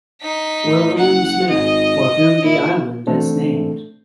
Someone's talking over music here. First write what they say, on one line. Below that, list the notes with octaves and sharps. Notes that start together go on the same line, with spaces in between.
William Smith, for whom the island is named.
D#4 B6
A2
F#1 F#5
G#1 D#5
A#2 E4
E3 A3 C4 D4 A4